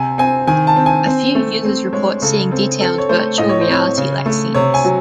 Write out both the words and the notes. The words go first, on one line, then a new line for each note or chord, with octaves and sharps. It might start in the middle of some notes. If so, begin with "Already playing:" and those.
A few users report seeing detailed, virtual reality like scenes.
Already playing: C3 C4 G#5
C4 G#5
D#3 G#5
A5
C4
G#5
C4
A3
C4
G#3 C#5
C#3 A4
C4 A4
C4 A4
C#5
A3 C5
A2 D#5
C#5
C5
C4 C#5
C#3
A3
C3 C#5
G#5
F#3